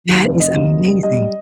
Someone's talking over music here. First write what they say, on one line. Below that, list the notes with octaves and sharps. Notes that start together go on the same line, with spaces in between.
That is amazing.
D#2
F1
F1 D#5
D#2
F#1
G3
G3 D#5
G3